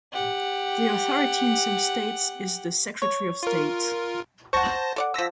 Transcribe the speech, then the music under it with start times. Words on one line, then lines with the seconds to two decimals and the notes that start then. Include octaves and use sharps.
The authority in some states is the Secretary of State.
0.12 G4 F#5
3.02 C#5
3.43 F4 A#4
4.53 C5 F#5 A5 C#6 A#6
4.96 A4 D5 F#5
5.14 D3 F3 E6 A#6 B6